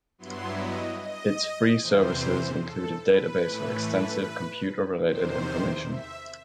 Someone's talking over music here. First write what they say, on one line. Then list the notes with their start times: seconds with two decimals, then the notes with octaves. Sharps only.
Its free services include a database of extensive computer-related information.
0.18 G2 F#3 B3 E4 C6
0.59 D#5
1.00 D#5
1.81 E2 C3 E3 C5
2.61 A4
3.02 B4
3.43 A2 E3 A3
5.05 E2 C3 D#3 C5
5.87 E5